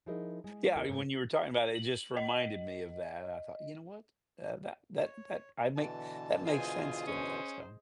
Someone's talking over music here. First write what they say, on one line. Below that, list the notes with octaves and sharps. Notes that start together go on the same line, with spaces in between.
Yeah, I mean when you were talking about it, it just reminded me of that. I thought, you know what? That that that that I make that makes sense to me so
F3 D#4 E4 G#4 A#4 D#5
G#3
D#2 E4 F4 A4 A#4 D#5
G#2 A3 C4 C#4
F#7
D#5
C#5
B2 D3 E3 A5
F4 G#4 C5 D#5 G#5
C#4 C5